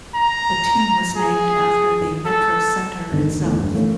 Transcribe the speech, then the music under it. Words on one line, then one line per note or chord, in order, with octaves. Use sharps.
The team was named after the MetroCentre itself.
A#5
G#4
A4
G1 D3 D#3
D#2
E2 A2
G2
E3 A3 A#3 C#4